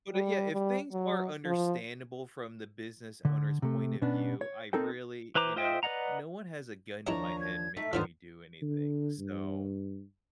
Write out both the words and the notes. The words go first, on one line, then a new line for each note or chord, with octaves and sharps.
But, it yeah, if things are understandable from the business owner's point of view, I really you know, no one has a gun to my head making me do anything, so
G3
G3
F#3
F3
D3
C3 A3
B2 B3 C#4 D4
C#5
C4 D#4 A4 A#4 G5
E3 B4 C5 A#5 D6
F4 C5 D#5 E5 G5
B4 D5 D#5 F#5 A#5
D#2 F3 D4 E4 G4 C#5 D#5 A#5
G#6
A3 D#4 B6
E2 G#2 D3 D#3 F3 B3 C5 F6
D3
G2